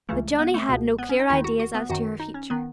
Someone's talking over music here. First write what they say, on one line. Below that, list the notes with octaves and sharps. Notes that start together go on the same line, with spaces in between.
But Johnnie had no clear ideas as to her future.
C#2 C#3 E3 A3
B3
A3
C#2 B2
B3
C#4
D#4
D#2 D#3 E4
F#4
F#4
B3
F#2 D#3 F#4
D#4
C#4
D#3 B3